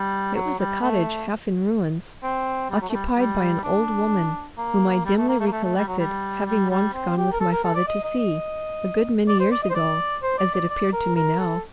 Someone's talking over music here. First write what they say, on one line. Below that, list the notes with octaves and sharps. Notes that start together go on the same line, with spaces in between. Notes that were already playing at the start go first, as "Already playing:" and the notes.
It was a cottage half in ruins, occupied by an old woman whom I dimly recollected having once gone with my father to see--a good many years ago, as it appeared to me now.
Already playing: G3
F#3
G3
A3
C4
G3
F#3
A3
G3
G3
D4
A#3
G3
A3
A#3
A3
A#3
A3
A3
G3
F#3
G3
G3
G3
C4
G4
A#4
A4
A#4
A4
D5
D#5
D#5
D#5
D5
C5
D5
D#5
C5
D5
C5
D5
D5
D5
A#4
A#4
A4